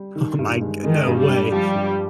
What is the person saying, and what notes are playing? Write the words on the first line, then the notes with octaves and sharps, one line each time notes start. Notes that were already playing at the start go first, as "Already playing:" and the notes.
Oh my g no way.
Already playing: G3
D#3
G2
G#3
D#3 G#3
G2
G3
D4
F3 G3
G2